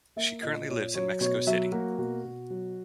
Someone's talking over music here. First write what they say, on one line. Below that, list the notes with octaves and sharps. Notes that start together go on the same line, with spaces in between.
She currently lives in Mexico City.
A#3 E5
A#2 D#5
A#2 C#5
F#3 C#5
B2 C#5
F#3 E5
A#3 F#4
B2 F#4
B2
F#3